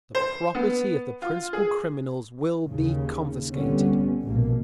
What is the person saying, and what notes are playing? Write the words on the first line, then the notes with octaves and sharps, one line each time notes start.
The property of the principal criminals will be confiscated.
C5
B3
F4
G#4
D#2 C#3
C2 D3 G3 B3 C#4
A#1 B2 A#3